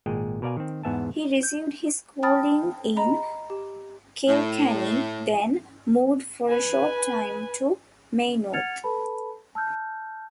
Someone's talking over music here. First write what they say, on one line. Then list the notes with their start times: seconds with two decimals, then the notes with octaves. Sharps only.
He received his schooling in Kilkenny, then moved for a short time to Maynooth.
0.06 G#1 A#2 G#3 G#4 G5
0.42 B2 A#4 D5 F5 G#5
0.57 D#3 C4
0.83 E2 G#2 B3 E5 G#5 A5
1.43 G6
2.23 G5 A5 B5 D#6 F6 A6
2.97 D#5 A#5 B5
3.50 G4
4.27 A2
6.49 B4 G#5
8.53 F#5 F6 G#6 A6 C#7 F7
8.84 A4 B4 A5 B5
9.55 A5 E6 F6 G6